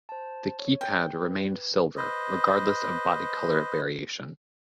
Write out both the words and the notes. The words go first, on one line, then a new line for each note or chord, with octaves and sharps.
The keypad remained silver regardless of body color variation.
C5 A5
C#5
G5
B4
B4 C5 D#5